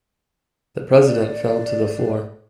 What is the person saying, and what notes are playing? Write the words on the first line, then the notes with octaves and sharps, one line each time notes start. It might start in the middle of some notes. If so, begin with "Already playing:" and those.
The President fell to the floor.
D5